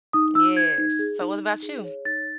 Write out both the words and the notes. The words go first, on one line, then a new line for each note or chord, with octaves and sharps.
Yes, so what about you?
D#4 D#6
D#4 E6
C5 G#6
D#4
G#4
D#4
D#4
G#4
C#5
D#4 A6